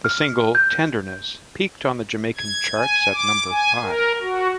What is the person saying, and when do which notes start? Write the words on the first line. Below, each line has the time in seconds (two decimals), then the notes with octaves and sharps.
The single "Tenderness" peaked on the Jamaican charts at number five.
0.05 F6
0.55 G6
2.37 G#6
2.77 G#5
3.14 D6
3.51 G#5
3.83 A#4
4.21 F#4